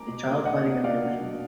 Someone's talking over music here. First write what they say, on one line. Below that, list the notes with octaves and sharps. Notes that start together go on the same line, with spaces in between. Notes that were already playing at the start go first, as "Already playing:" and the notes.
A child playing in the ocean.
Already playing: A#5 D6
B2
A#3 D4
B2 D#5 F#5
A#3 D4
B2 D5 F5
A#3 D4
B2